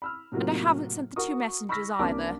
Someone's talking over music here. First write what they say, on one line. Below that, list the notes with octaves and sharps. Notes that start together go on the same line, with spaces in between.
And I haven't sent the two Messengers, either.
B5 E6 F6
A2 C3 F#3 A#3 F4
F#4 A#4 C#6 D#6
B5 C#6 E6 F6 A#6 B6
C2 A#3 C#4 D4 A5 D6